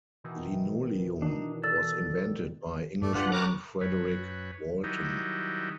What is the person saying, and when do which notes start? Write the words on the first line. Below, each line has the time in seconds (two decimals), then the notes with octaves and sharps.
Linoleum was invented by Englishman Frederick Walton.
0.24 B2 D#3 E3
1.22 D4 D#4
1.64 A4 D5 E6 A6
3.02 G2 A3 D5
3.15 D4 F4 G4 B4 F#5
3.32 G3 C#4 F#4 A#5 D6 F#6
3.81 F#2 B4 C#5
4.84 D#3 F#3 G3 D#4 E4